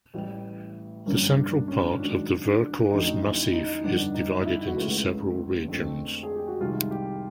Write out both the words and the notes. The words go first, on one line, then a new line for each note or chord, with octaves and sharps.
The central part of the Vercors Massif is divided into several regions.
A1 A2 E3 G3
G1 G2 D3 F3 A#3 C#4
D4
C#4
D4
C#4
C#4
G#2 D#3 F#3 D4
D4
F2 D3 F#3 A3 C#4 D#4
E4
D#4
G1 F2 D3 D4
D#4
E4
F#4
C#2 C#3 E3 A3 C#4 F4
F2 D3 F3 A3 C4
G#4
G4
F#4
C2 C3 D#3 G#3 F4
G4